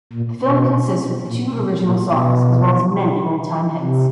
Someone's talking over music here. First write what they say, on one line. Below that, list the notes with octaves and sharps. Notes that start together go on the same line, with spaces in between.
The film consists with two original songs as well as many old time hits.
A#2
B2
A#2
B2
A#2
B2
C3